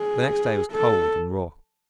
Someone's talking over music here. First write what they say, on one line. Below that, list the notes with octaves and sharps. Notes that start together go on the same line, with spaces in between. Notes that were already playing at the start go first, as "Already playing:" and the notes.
The next day was cold and raw.
Already playing: G#4
A4